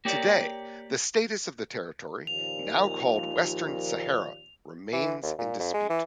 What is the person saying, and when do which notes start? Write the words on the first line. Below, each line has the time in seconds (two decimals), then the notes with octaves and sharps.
Today, the status of the territory, now called Western Sahara, remains in dispute.
0.05 A#3 G4 C#5 D5
2.27 D#2 A#2 F3 F7
4.93 E3
5.23 D#2
5.38 A#2
5.60 F2
5.74 G#3
5.90 E3